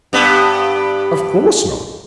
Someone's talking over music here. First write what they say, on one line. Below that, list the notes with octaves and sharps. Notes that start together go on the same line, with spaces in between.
'Of course not.
G2 B3